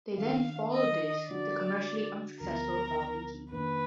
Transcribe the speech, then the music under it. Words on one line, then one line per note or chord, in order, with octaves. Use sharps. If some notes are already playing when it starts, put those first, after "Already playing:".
They then followed this with the commercially unsuccessful Valmiki.
D#3 G#3 D4 F5
D#5
D3 G#3 D4 F#4 D5
D2 D3 F3 G#3 B3 A#4
F2 D#3 A#3 D4 B4